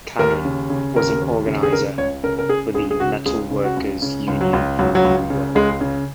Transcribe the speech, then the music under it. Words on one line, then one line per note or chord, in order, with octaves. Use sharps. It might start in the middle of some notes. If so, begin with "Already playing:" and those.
Cannon was an organizer for the Metal Workers' Union in New York.
D#2 A#4
C#3
C#3
D#2 A#4
D#2
C#3
G#4
C#3 A#4
C#2 C#5
C#3 A#4
A#4
C#3 G#4
C#2 G#4
G#4
C#3 F#4
C#2 G#4
C#3
F#4
C#2
C#3
C#2
F#3
C#2
C#2 F#3
F#3
C#2
C#3
C#2 G#3
C#3